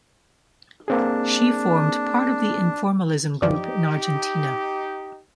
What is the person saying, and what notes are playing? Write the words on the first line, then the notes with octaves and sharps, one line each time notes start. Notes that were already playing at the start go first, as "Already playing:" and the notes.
She formed part of the Informalism group in Argentina.
A#3 C4 D4 G#4
F#2 E3 F3 D#4 G4 D5